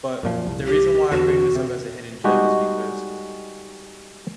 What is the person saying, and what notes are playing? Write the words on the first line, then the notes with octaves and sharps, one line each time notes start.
But the reason why I bring this up as a hidden gem is because
F#2 A#2 F3
C2
G4
E2 D3 F#4
C3
G3 G#3 D#4 F#4 G4